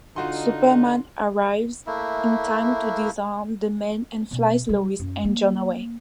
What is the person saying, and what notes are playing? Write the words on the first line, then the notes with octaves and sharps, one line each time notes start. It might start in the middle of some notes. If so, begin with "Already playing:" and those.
Superman arrives in time to disarm the men and flies Lois and Jon away.
D3 D#4 F4 F#4 C6
A3 A#3 E4
B2
G3
F#2
A#3